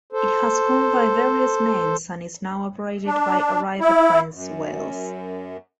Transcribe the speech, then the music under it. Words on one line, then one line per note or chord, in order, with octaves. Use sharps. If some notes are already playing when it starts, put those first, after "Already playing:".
It has gone by various names and is now operated by Arriva Trains Wales.
A4 C5
D4
E4
F#2